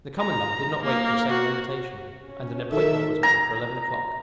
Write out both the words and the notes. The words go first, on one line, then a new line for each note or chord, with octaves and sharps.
The commandant did not wait for a second invitation, and an appointment was made for eleven o'clock.
A#5
A#3
F#4
C#4
D#3 A4 A#4 E5
A#5